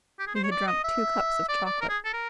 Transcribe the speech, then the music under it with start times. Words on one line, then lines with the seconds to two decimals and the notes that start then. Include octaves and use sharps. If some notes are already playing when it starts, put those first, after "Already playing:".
He had drunk two cups of chocolate.
0.19 G4
0.27 G#4
0.36 C5
0.44 C#5
0.51 D5
0.67 D#5
0.84 E5
1.49 D5
1.65 D5
1.81 A#4
1.89 G#4
2.05 A4
2.13 A#4